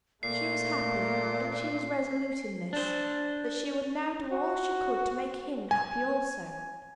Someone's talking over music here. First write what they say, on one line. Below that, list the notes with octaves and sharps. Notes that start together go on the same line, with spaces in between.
She was happy, and she was resolute in this,--that she would now do all she could to make him happy also.
A#2 A3 A#3 C7
D4 C5
F#4
G#5